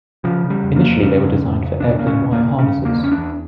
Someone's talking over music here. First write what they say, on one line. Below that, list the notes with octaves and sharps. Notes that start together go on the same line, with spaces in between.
Initially they were designed for airplane wire harnesses.
C#3 F3
C#3
G3
F2
A#3
F2
C#3 C#4
F2
F2
C#3
E2 D4
C#3 A#3
C#4
E2
A#3
C#3
C#3 C#4
E2
A#3
E2
C#4
D4
E2